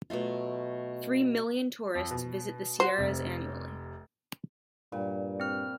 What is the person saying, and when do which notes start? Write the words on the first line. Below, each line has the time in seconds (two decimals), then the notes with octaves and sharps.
Three million tourists visit the Sierras annually.
0.10 B2 F#3 A3 F4
1.95 F2
2.11 B2
2.80 F#4 C5 F#5
2.98 F1 C3
4.92 G2 A#2 G3
5.40 C4 F6